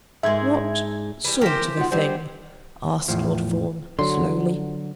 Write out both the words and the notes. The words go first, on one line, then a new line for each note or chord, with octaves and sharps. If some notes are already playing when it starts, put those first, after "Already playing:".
"What sort of a thing?" asked Lord Fawn slowly.
G#2 G#3 E5 G#6
E3 G3
E3 G4 A#4 C5
D#4 F4 F#4 F#5
F#3 G3 D4 C5 G5
E2 A2 F3
D3 F#3 C6